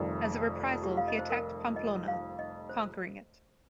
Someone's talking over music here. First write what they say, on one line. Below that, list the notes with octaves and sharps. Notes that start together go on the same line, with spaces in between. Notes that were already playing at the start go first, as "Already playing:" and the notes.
As a reprisal he attacked Pamplona, conquering it.
Already playing: F1 F2 D#3 G3
G4
F5
D#5
C5
A#4
D#5
F5
D#5
C5